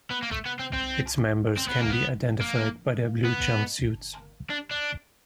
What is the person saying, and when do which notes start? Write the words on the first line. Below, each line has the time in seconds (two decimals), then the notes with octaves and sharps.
Its members can be identified by their blue jumpsuits.
0.11 B3
0.22 A#3
0.31 A3
0.46 B3
0.59 C4
0.73 C4
1.57 C4
1.68 B3
1.79 A#3
1.90 B3
2.41 A#3
3.25 B3
4.50 D4
4.71 D4